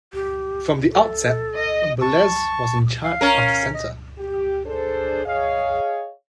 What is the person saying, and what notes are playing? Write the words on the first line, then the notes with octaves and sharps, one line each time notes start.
From the outset, Boulez was in charge of the centre.
G4
A4
D#5
A5 C#6
F5
C#4 A#4
D#5
G4
D4 G#4 A4 C5
G#4 C#5 D#5 F5